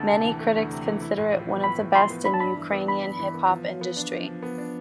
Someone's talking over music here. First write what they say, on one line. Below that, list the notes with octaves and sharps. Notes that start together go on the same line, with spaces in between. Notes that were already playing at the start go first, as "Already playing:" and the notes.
Many critics consider it one of the best in Ukrainian hip-hop industry.
Already playing: D2 A3 A5
C3
E3
A3
D2
C3
E3
E4
A2
F3
B3
E4 B5
A2
F3 C6
B3
G2 B5
A5
G2 B5
E3
B3
G2 B5
G2
E3
B3
F3
F3
B3
D4
F3
F3
B3
D4